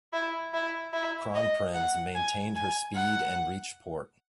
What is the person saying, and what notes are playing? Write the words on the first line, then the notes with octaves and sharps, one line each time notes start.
"Kronprinz" maintained her speed and reached port.
E4
E4
E4
D#5
F#5
G#5
G#5
F#5